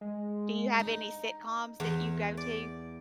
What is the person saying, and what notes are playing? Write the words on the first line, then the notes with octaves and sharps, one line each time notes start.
Do you have any sitcoms that you go to?
G#3
D#4
E2
D5